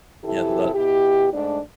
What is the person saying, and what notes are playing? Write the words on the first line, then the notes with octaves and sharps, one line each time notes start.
Yeah, th that
C3 E3 E4 G4 A4
B2 E4 G4
G#2 A3 D4